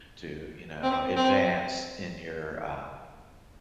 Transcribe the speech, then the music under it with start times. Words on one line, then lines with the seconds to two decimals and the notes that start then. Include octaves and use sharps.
to, you know, advance in your, um,
0.83 C4
1.16 C4